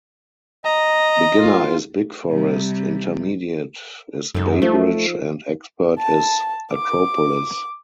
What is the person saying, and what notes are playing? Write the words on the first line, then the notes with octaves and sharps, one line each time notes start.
Beginner is "Big Forest", intermediate is "Bay Bridge" and expert is "Acropolis".
D#5 A#5
F4
C3 G3
F#2 D#4 A4
F3 A3
A5
D6